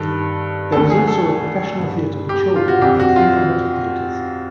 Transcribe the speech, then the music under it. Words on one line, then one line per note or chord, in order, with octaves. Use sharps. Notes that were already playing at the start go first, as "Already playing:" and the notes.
There is also a professional theatre for children and three amateur theatres.
Already playing: G2 D#3 A4
D2 D3 A4
G#4
A4
G2 D3
G4
F4
F#4
F2 D3 G4
F#4
F4